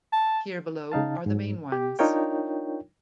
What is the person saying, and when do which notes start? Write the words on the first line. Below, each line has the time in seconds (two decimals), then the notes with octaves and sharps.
Here below are the main ones.
0.13 A5
0.92 C#3 D#4 F5 A5
1.26 G#2
1.72 G4
1.99 D4 D#4 F4 A#4 C#5 G5